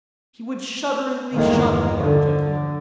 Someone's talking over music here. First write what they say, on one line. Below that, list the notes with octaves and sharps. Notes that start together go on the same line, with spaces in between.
He would shudderingly shun the young gentleman.
G1 E2 D#3 G#3 A#3
D3